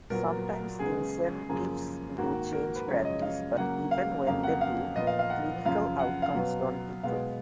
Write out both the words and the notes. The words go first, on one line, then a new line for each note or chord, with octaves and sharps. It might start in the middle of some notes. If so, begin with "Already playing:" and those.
Sometimes incentives do change practice, but even when they do, clinical outcomes don't improve.
A#2 F#3 B3 A#4
C#3 G#3 B3 G#4
F#2 C#3 F3 A#3 G#4
G#2 D#3 A#3 F#4
A#4
B4
F#2 C#3 F3 G#3 C#5
D#5
F5
C#3 F#3 A#3 F#5
F5
F2 C#3 F#3 A#3 F5
F#5
F5
A#2 F3 B3 D#5
F5
F5
F#5
F#2 C#3 F3 F5
F#5
F5
B2 F#3 B3
B2 G#3 B3 F5